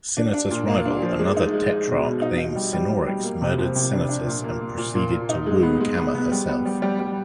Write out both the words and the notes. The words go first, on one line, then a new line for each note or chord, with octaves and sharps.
Sinatus' rival, another tetrarch named Sinorix, murdered Sinatus and proceeded to woo Camma herself.
D4
D4
A#2
A#3
D4
F3
G#3
D#4
G#3
D#4
B2
B2
D#4
D#4
G3
G3
G3
G3
A#3
C3
F3
C3
D4
D4
A#2
A#3
A#3
A#2
A#2
A#2
D#4
G#3
B3
G#3
B3
B3
G3
B3
G3
G3
G3